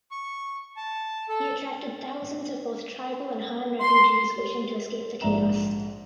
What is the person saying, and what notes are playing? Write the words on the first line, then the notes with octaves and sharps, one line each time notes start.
He attracted thousands of both tribal and Han refugees wishing to escape the chaos.
C#6
A5
A4
C6
G4 C#5
A#1 G#2 D4 E5 A#5 E7